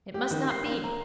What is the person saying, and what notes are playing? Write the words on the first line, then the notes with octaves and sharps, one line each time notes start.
It must not be!
G4
D#3
C7
A#3
A#5